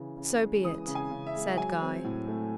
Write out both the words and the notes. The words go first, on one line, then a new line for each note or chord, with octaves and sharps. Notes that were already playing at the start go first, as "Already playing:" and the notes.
"So be it," said Guy.
Already playing: C#3 E3
C#3
G#3
E3 D#6
C#3
G#5
C#3
E5
G#3
F#3 G#5
C4
A2
A3